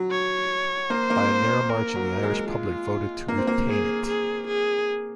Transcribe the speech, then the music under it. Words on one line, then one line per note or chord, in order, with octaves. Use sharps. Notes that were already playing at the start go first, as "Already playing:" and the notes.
By a narrow margin, the Irish public voted to retain it.
Already playing: F#3
C#5
A#3 C5
A#3
C4
A#4
F#3
G#3
F4
A#3
C4
A#3
G#4
G#4
G#4